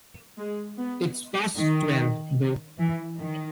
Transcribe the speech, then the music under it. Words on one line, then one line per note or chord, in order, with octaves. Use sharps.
It’s past twelve, though.
G#3
B3
D#3
E3
D#3